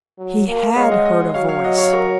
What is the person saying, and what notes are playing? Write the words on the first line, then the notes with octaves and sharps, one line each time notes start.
He had heard a voice.
F#3
A#3
G#3 C#5 F5
D#5 F#5
D#5 F#5
F#3 C#5 F5
C#5 F5
D#5 F#5
C#5 F5
A#4 C#5